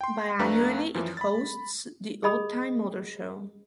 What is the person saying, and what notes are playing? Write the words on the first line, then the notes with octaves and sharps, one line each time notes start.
Bi-annually, it hosts the Old Time Motor Show.
G5 C6
F2 A3 D4 B4 F5 A#5
F#2 E3 F3
B5 A6
G#4 D#5 B5 D#6